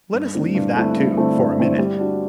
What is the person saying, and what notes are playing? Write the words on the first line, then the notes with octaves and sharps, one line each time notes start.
Let us leave that, too, for a minute.
G2
D3 A3 C4 E4
G2
D3 A3 C4 E4
G2
D3 A3 C4 E4
G2
D3 A3 C4 E4
G3
D4 F#4